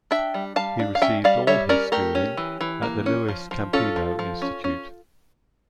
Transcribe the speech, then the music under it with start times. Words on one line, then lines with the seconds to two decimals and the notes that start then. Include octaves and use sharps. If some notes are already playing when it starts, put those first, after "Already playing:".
He received all his schooling at the Luis Campino Institute.
0.11 D4 E5 G5
0.34 G3
0.56 G3 F5 A5
0.80 D4
0.95 F5
1.02 C#4 E5 G5
1.24 G3 D5 F5
1.47 G3 C#5 E5
1.69 C#4 A#4 D5
1.92 A3 G4 A#4
2.15 C#4
2.37 E3
2.61 E3
2.82 A#3
3.06 C#4
3.28 F3
3.51 F3
3.73 C#4 F4 A4
3.96 F3
4.19 F3
4.42 C#4
4.64 C#4